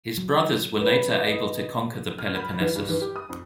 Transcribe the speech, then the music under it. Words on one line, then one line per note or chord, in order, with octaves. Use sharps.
His brothers were later able to conquer the Peloponessus.
F#3
B4
D#5
F6
B5
E3
G2
E3
G4
D#6
F2